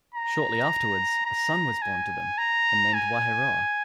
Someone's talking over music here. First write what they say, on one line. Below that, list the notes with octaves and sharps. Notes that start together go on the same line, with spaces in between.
Shortly afterwards, a son was born to them, and named Wahieroa.
A#5
A#5
G#5
A#5
G#5